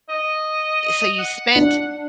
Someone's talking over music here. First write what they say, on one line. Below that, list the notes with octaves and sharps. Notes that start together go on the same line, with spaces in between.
so you spent
D#5
F#5
D4